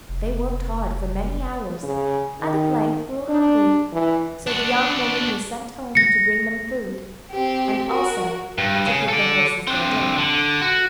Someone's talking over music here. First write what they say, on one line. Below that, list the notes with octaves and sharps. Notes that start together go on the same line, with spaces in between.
They worked hard for many hours, and at length grew hungry, so the young woman was sent home to bring them food, and also to give the horses their dinner.
F1
C#3
D#3
D4
E3
D4 F#4
A#6 C#7
C4 G4
F#4 A#4
G2
C#3
A4 D5
C4 D4
D3
F#4